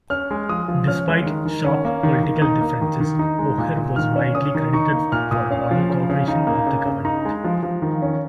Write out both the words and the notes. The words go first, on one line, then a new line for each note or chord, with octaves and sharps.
Despite sharp political differences, Poher was widely credited for model cooperation with the government.
C#4 F6
G#3
F3 D#6
F3
C#4 F6
G#3
D#3
D#3
C#4
A#3
D#3
D#3
D#4 D#6
A#3
D#3
D#3
D#4
G#3
A#2
A#2
D#3 F6
C#4
C#4 D#6
D#3
D#4 C#6
A#3
A#2 F6
A#2 D#6
C#4 F5
F3
C#3
C#3
D#4
A#3
C#3
C#3
D#4 A#5
G#3
F3
F3
D#3
C#4